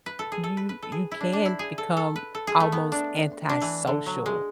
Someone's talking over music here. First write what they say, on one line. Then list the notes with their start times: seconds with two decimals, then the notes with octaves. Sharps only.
you you can become almost antisocial,
0.06 B4
0.19 A4
0.32 G#4
0.44 A4
0.57 B4
0.69 B4
0.82 A4
0.92 G#4
1.11 E4
1.20 D4
1.33 D4
1.45 E4
1.59 G#4
1.78 A4
1.97 A4
2.16 B4
2.35 A4
2.47 G#4
2.60 A3
2.72 B3
2.92 D4
3.49 D4
3.62 E3
3.87 D3
4.06 F#3
4.26 G#3